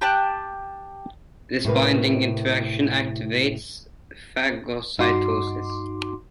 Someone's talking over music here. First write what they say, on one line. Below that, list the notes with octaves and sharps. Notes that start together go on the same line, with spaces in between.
This binding interaction activates phagocytosis.
G4 G5 A5 F#6
A2 C3 A#4 B4
G2 D#4 F#4 C6 D6